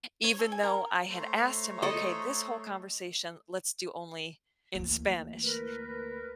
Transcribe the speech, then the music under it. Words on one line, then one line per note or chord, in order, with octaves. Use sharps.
even though I had asked him, "Okay, this whole conversation, let's do only in Spanish,"
C#5
A4
G#5
A#4
A3 C5 C#5 A#5
A4 D#5
D2 E3 A#3
A#4 B4